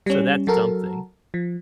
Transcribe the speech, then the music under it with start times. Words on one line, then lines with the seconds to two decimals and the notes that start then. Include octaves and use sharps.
So that's something.
0.06 G3 C#4
0.47 F#3 F#4 A4 A#4
1.34 F3